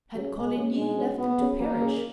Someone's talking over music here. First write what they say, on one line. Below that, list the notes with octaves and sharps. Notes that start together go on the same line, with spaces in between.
Had Coligny left them to perish?
F#3 C#4 G#4 C#5
B2 G#3
F#3 C#4 G#4 C#5
B2 G#3
F#3 C#4 G#4 C#5
B2 B3
F#3 C#4 G#4 C#5
F#3 A#3
C#4 G#4